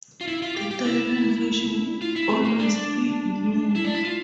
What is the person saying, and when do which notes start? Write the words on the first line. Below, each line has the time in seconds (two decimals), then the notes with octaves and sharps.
The Dylan version always stayed with me.
0.21 F4
0.28 E4
0.42 F4
0.56 G4
0.71 G4
0.86 E4
2.01 F4
2.16 E4
2.30 C4
2.44 A#3
2.59 D4
3.75 E4
3.84 D4
3.94 E4
4.05 F4